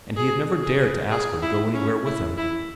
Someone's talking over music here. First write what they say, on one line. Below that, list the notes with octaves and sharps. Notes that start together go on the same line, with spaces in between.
And he had never dared to ask her to go anywhere with him.
G#4
G#4
G#4
E4
C#4
E4
E4